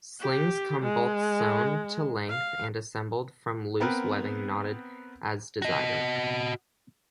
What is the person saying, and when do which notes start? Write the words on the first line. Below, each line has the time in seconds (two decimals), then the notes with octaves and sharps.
Slings come both sewn to length and assembled from loose webbing knotted as desired.
0.21 G4
0.82 G#3
2.30 F5
3.80 B3 C4 A#4 B4
5.62 F#4 D#5